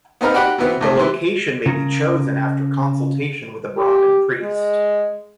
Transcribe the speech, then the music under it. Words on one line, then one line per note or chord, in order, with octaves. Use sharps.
The location may be chosen after consultation with a Brahmin priest.
B3 C4 D#4 B4 F5
F#4 G4 D5 F#5 B5
B2 E3 B3 C4
C#2 A3
E3 G3
C#3 A#4
G4
G#3